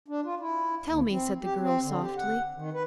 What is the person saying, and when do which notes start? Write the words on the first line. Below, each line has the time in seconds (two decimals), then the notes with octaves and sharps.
"Tell me," said the girl softly.
0.08 D4
0.25 F4
0.40 E4
0.83 D#2
1.10 C4
1.42 G4
1.61 C4
1.83 D3
2.01 G4
2.16 F#5
2.54 D#3
2.73 B4